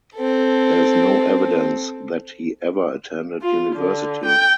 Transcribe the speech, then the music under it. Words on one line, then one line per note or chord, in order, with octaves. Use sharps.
There is no evidence that he ever attended university.
C4 A4
F4
D3
G5